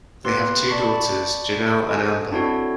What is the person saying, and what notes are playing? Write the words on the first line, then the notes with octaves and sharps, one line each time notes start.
They have two daughters, Janell and Amber.
A#3 B3 G4 B4 C6
D5 A5 B5 C#6
A4 D#5 G#5
C4 D4 E4 F#4 A4 C#5